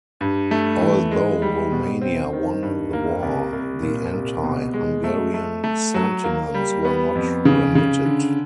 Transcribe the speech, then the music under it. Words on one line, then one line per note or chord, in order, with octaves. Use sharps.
Although Romania won the war, the Anti-Hungarian sentiments were not remitted.
G2
A3
E3
G#3
G3
B2
C4
D#3
G2
A#3
C2
C2
A#2
C2
B2
G#3
A3
A3
A3
F#3
A#3
G3
B3
F2
C#3
C#3
D3